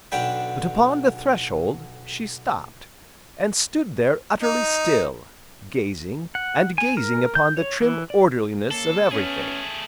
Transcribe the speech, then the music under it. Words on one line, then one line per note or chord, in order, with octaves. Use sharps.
But, upon the threshold, she stopped, and stood there utterly still, gazing, and gazing upon the trim orderliness of everything.
B1 D3 D4 G5 B5
D#4
F#5
G#5
A#4
G6
C#5
E3
D5
C#3 A#3 A4
A3 B3 C#4 G#4